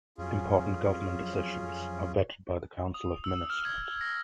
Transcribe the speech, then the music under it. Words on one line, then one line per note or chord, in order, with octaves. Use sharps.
Important government decisions are vetted by the Council of Ministers.
F2 F#3 C#4 F4 G#4
D#6
E6
F6
G#6
A#6